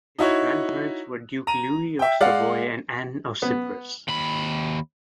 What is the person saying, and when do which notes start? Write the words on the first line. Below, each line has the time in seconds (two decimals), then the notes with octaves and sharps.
His grandparents were Duke Louis of Savoy and Anne of Cyprus.
0.18 D#4 E4 F#4 C#5
1.47 A#5 D#7
1.99 E5 G5
2.20 G#3 D5 F5 F#5
3.42 B3
4.09 D#2 B5